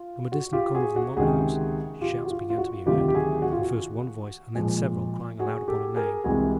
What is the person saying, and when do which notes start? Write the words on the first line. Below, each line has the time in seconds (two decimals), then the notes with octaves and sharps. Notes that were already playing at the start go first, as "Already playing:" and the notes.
From a distant corner of the Moat House shouts began to be heard, and first one voice, and then several, crying aloud upon a name.
Already playing: F4
0.32 F#4
0.53 F4 G4
0.75 F#4 G#4
0.96 F#4
1.16 C#2 C3 D#3 F#4 G#4
2.01 F4 G4
2.25 F#4
2.30 F4
2.50 F4
2.58 F#4
2.86 D2 C3 D#3 F#3 F4 G4
3.08 G4
3.15 F#4 G#4
3.42 F#4
3.52 F4
3.61 F#4
4.55 A#2 F3 G#3
5.40 F#4 G#4
5.68 G4 A4
5.96 G#4 A#4
6.24 C2 C3 E3 G#3 F#4 G#4